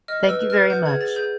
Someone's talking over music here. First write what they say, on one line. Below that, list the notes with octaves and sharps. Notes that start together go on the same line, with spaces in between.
Thank you very much.
D#5 F6
B4
E6
B4
B4 F6
F#5 G6
G#4 G#6
G#4 A6
G#4 G6